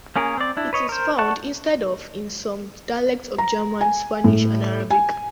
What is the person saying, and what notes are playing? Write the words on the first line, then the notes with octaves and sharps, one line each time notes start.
It is found instead of in some dialects of German, Spanish and Arabic.
A#3 C#4 G#4 A#4
C4 D5
D4 E4
B4 C#5 D#5
A#4 C5
D5 F#5 A5 C#6 F#6
A#5
G#5
A2
G#5